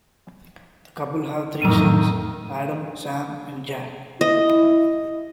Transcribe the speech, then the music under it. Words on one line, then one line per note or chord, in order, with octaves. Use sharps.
The couple have three sons: Adam, Sam and Jack.
F2 A2 D#3 F#3 D#7
E4 D#5